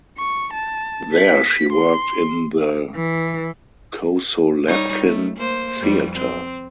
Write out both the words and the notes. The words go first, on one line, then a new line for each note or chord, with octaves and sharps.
There she worked in the Kosolapkin theater.
C#6
A5
B6
C6
E3
G3 D#4 C#5
A3
A#3 C5
F2 G3
C4